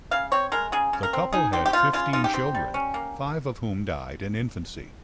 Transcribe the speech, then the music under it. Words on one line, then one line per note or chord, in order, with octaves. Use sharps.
The couple had fifteen children, five of whom died in infancy.
C#3 F5
C4 C#5
G#3 A#4
C#3 G#4
C#3
A#4
C4
D#4 G#4
C4 G4
G4
F3 F4
C#3 F4
D#4 F4
G4
C4
G3
C#4
A#3